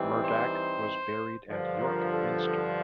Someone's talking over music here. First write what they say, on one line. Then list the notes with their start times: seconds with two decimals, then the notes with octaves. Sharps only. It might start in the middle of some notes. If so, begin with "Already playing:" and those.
Murdac was buried at York Minster.
Already playing: E3 G3 C4 D#4
0.25 C5
1.50 G2 D3 F3
1.81 A#4
2.13 A4